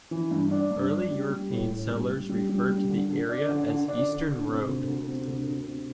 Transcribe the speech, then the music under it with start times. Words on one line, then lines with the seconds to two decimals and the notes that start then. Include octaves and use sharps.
Early European settlers referred to the area as Eastern Road.
0.11 E3
0.31 G2
0.51 D4
0.71 G2
0.90 D4
1.11 G3
1.30 G3
1.50 A2
1.70 A2
1.90 G3
2.09 G3
2.29 G3
2.49 G3
2.69 G3
2.89 D3
3.09 D3
3.29 D4
3.49 D3
3.68 D3
3.88 D4
4.08 D3
4.28 D3
4.48 C3
4.68 D2
4.88 D2
5.08 C3
5.27 D2
5.47 D2
5.67 C3